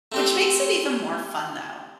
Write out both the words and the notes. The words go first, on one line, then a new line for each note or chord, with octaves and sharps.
Which makes it even more fun though.
A3 C4 G4